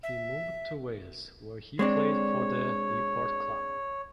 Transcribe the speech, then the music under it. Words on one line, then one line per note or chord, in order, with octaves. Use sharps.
He moved to Wales where he played for the Newport club.
E5
G#3 C4 D4 C#5